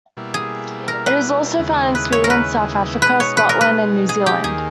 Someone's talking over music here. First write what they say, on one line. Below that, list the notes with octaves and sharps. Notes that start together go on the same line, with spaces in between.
It is also found in Sweden, South Africa, Scotland, and New Zealand.
B2 G3 A#3 E4
G#4
A#4
B4
D#2 C#3 G#3 B3 E4
B4
C#5
A#4
B4
B2 G#3 D#4 B4
C#5
B4
A#4
B4
G#4
G4
D#2 D#3 A#3 G#4